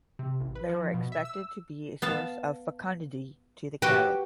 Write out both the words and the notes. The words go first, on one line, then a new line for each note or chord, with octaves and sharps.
They were expected to be a source of fecundity to the cattle.
C3
A1
B4
F3
B2
E5
E6
B3 F5 A5
F#4 G4 B4